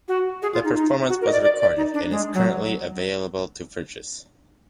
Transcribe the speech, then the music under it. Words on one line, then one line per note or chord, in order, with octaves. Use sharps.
The performance was recorded and is currently available to purchase.
F#4
G#4
F4
D#4
D#4
F#4
A#4
D#5
D5
D5
D5
D#4
D4
G#3
F#3